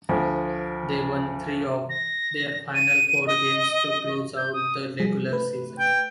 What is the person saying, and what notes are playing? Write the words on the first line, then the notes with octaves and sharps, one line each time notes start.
They won three of their final four games to close out the regular season.
D2 F3
A#6
D#7
D#5
G6
D#6
F3 G3 G#4
A3 B4
G5